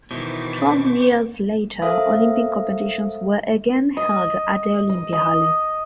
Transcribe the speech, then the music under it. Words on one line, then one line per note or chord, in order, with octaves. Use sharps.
Twelve years later, Olympic competitions were again held at the Olympiahalle.
B2 D#3 E3 E4 C5 C#6 D6
C4
A4 A#4 C5 E5 F5 D#6
D#5
D#5
D#5